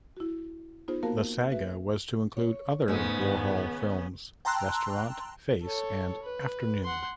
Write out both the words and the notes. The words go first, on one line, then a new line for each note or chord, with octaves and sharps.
The saga was to include other Warhol films: "Restaurant", "Face", and "Afternoon".
E4 F#4
B3 D#4 F4 G#4 C5
A#3 B3 F#4 A#4 F5 A5
F#4 G#4 B4 E5
C#5
G#2 C#3 G#3 A3 B3
D#3
G5 A5 A#5 C6 E6 F#6
A4 C#5
B4
F#5 C6